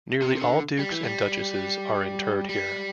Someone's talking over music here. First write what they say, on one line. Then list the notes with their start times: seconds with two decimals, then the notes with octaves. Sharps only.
Nearly all Dukes and Duchesses are interred here.
0.22 C3
0.36 C3
0.42 D3
0.79 G3
0.91 E3
1.03 G3
2.49 G3